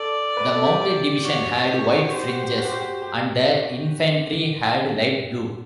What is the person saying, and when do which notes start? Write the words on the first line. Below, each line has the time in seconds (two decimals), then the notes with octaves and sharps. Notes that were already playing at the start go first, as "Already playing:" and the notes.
The mounted division had white fringes, and the infantry had light blue.
Already playing: A4 D5
0.37 B4
0.51 A4
0.66 G4
0.81 G4
1.25 F#4 C#5
1.69 G4
1.91 F#4
2.13 G4 C5
2.28 F#4
2.43 G4
2.58 F#4
2.65 G4
2.72 F#4
2.80 G4
3.02 G4